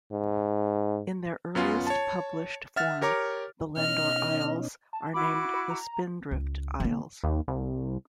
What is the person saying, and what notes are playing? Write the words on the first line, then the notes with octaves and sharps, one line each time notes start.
In their earliest published form the Lendore Isles are named the Spindrift Isles.
G#2
F#2 B3 C#4 F4
C#5 A5
E5 F#5 F6 A6
G4 A#4 C#5 A#5 D6
B2 C#4 D#4 D#5 F6
A5
E4 F#4 B5 D6
A#5
C#2
D3 A#3
D#2
C2